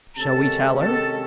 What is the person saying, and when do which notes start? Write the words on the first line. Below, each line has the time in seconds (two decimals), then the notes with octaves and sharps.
"Shall we tell her?"
0.16 C3 D#3 G#3 C#4 A4 A5
0.81 A4 A5